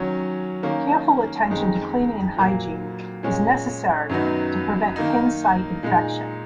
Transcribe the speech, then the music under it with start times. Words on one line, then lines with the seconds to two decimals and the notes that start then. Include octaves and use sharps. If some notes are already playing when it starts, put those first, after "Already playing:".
Careful attention to cleaning and hygiene is necessary to prevent pin site infection.
Already playing: D#3 F#3 C#4
0.63 D#3 A#3 C#4
1.50 F2 D#3 G#3 D#4
2.37 A#2 F#3 A#3
3.23 A#2 G#3 C#4
4.09 F#2 D#3 F#3 B3 D#4
4.96 D#3 A#3 D#4
5.83 A#2 G#3 D#4